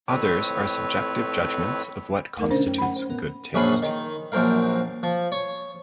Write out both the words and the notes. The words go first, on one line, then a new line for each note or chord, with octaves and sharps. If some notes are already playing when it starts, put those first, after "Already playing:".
Others are subjective judgments of what constitutes good taste.
F2 A2 C4 B4 C#5
D2 A3 D#4 A#4
B2 D3 C#4 D4 C5
F#2 G5
F#5 B5
C#4 C5
A2 B3 A#4
A#1 F#2 C#4 G#4 F5 B5
D#3
A#1 F#2 C4 A#4 F5
F3
C#5